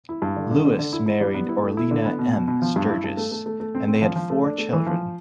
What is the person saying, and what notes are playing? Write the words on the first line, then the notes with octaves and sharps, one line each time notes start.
Lewis married Orlina M. Sturgis and they had four children.
E4
G2
D3
D3
D3
D3
E4
E4
G3
B3
E4
A3
E4
D3
B3
B2
B2
B2
F3
G2
E4
G2
A3
A3
A3
A3
C4
C4
F3
F3
A3
D4
A3
E3
F3